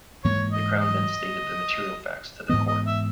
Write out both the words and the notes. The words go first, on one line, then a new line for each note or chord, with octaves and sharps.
The Crown then stated the material facts to the court.
G#2 E3 A#3 C#5
D#5
D#5
G#2 E3 B3 D#5
D#5
E5